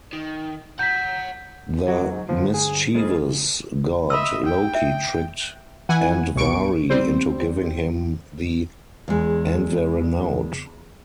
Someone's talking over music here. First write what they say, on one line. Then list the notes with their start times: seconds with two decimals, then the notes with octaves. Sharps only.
The mischievous god Loki tricked Andvari into giving him the Andvaranaut.
0.13 D#3
0.79 F#5 A#5 G6 B6
1.88 F#3 F#4
2.11 G#2
2.29 G2 D3 F3
2.54 G#4
2.95 F2 G#3 F4 G#4
4.10 D#5 E5 B5 C6 E6
4.46 G5
4.75 E5
5.89 E3 E4 F#5 G#5
6.35 C2 B2 C#6 D7
6.90 G3 C4 C5
9.08 E2 G#3